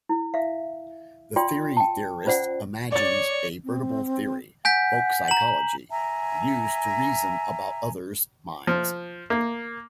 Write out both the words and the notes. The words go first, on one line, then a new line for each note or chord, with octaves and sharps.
The theory-theorist imagines a veritable theory-"folk psychology"-used to reason about others' minds.
E4
E5 F5
F4 D5 G5 C6
G5 A5
C#4 F4 C5 D5 F#5
C#5 D5 A6
C4
F#5 G#5 G6 B6
A#5 F#7
E5 G#5 A#5
F3
A#3